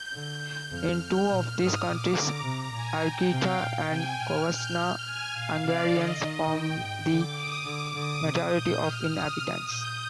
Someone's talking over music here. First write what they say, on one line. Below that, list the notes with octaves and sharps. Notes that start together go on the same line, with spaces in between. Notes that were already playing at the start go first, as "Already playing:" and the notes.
In two of these counties, Harghita and Covasna, Hungarians form the majority of inhabitants.
Already playing: G6
D3
F2 F6
G6
A#2 F6
G#2 D#6
A#2 D6
D3 A#5
C3
A#2 G#5
G5
C3 F5
A#2 G5
C3 G#5
A#2 F6
A#2 G6
F6
G#5
A#2 F5
C3 D5
D3 D#5
D#3
D#3 G5
G#2
D3 D6
D#6
D3 D6
D3 D#6
C3
A#2 G6
F6
D#6
C3
A#2 G6